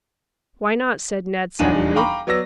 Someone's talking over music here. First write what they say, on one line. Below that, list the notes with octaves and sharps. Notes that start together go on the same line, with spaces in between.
"Why not?" said Ned suddenly.
D#1 E2 F3 D4 D#4 D#7
F5 G5 A#5 B5 C#6 D6
F#3 B3 D5 E6 A#6